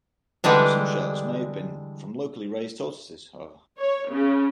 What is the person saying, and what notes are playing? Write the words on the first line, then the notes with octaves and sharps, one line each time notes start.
Some shells may have been from locally raised tortoises, however.
D3 E3 G3 G#3 D4
C#5
C#3